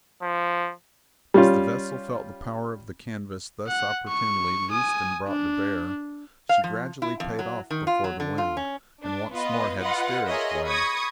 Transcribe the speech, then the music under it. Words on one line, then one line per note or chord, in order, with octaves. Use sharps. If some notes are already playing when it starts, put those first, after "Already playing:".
As the vessel felt the power of the canvass thus opportunely loosed and brought to bear, she gradually paid off before the wind, and once more had steerage way.
F3
G3 C#4 F4
F#5
C#6
G#5 D#6
D4
F5
F3
E4
F2
F#3
D#3
F4
F#3
D3
F4
C#4
D4
B3 F4 B4 D#5
F4 B4 D#5 F#5
F4 G#4 A#4 C#5 D#5 E5
B5 C#6 D#6 G#6 A#6